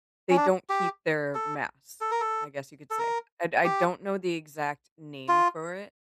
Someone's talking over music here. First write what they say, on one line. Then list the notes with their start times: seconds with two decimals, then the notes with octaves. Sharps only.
they don't keep their mass, I guess you could say. I I don't know the exact name for it
0.30 C#4
0.37 D4
0.69 G4
1.35 A4
2.01 A4
2.11 A#4
2.21 A4
2.90 A4
2.99 A#4
3.64 G4
5.28 F4